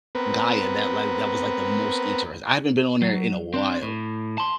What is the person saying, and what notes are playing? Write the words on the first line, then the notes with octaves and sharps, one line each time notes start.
Gaia, that, like that was, like, the most interest I haven't been on there in a while.
B3 C4 A#4 B4
F#3
C4 D4
A2
A5 C6